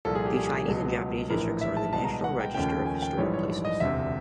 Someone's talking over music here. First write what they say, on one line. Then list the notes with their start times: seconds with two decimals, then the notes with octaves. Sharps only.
The Chinese and Japanese districts are in the National Register of Historic Places.
0.05 C2 A#2 F3 A4
0.15 G#4
0.26 G4
0.36 G#4
0.47 G#4
0.68 C#2 B2 F#3
1.30 A#1 A2 E3 A#4
1.61 E5
1.77 A5
1.93 C2 B2 G#3 A5
2.04 A#5
2.24 F#5
2.40 G5
2.55 D#2 C#3 F3 A3 C#4 G5
2.86 G#5
3.02 G5
3.17 A#1 G#2 E3 G3 C#5
3.34 C#5
3.49 D5
3.65 D#5
3.80 E1 D2 C3 E5